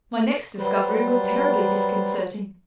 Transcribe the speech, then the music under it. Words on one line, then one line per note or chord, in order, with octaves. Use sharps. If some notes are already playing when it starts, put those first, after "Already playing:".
My next discovery was terribly disconcerting.
F#3 G3 B4 C5